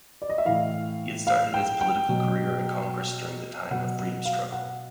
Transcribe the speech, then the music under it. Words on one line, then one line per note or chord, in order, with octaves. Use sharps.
He had started his political career at Congress during the time of freedom struggle.
D5
D#5
E5
A2 E3 F5
F5
G5
G5
B2 F#3
B2 F#3 F#5
F#5
F5
F#5